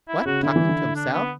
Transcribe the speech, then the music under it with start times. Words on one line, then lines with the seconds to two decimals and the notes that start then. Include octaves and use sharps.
"What! talking to himself?"
0.08 E4
0.25 C#3 F#4
0.43 D3 E4
0.56 E3
0.69 D3
0.96 D4
1.13 B3